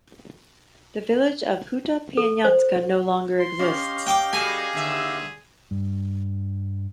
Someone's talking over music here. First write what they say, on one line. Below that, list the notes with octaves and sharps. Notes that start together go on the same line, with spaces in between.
The village of Huta Pieniacka no longer exists.
A4
C5
C6
C#4 G4 D#5 F5
G5 D6
G3 F#4 G#4 A4 G#5
D#2 D3 E5
G2